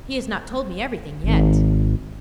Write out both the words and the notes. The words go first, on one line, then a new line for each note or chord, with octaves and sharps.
He has not told me everything yet.
G#1